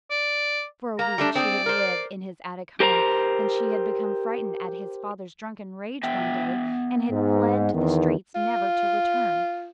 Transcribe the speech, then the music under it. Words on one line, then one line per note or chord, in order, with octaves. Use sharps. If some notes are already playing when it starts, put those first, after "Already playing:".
For a week she had lived in his attic home, then she had become frightened at his father's drunken rage, one day, and had fled to the streets, never to return.
D5
A#3 A#5
G3 A3 D4
C4 G#4 D5
A#4 C5
G4 A#4 C5 G#5 A#5
B3 E5 G5
G#2
E2 D#3
F4